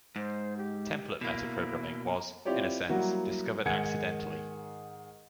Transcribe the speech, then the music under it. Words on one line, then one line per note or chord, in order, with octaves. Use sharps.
Template metaprogramming was, in a sense, discovered accidentally.
G#2 C5
G4
B2 A#3 E4
A#5
C4 E4 F4 G4 C#5 D5
F#3 G3 A#3 E4 F#4
G#2 D#3 G#4 F#5 G#6 C#7